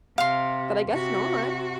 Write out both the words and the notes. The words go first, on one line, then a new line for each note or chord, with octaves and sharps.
but I guess not.
C3 F5 C6
C3 F#4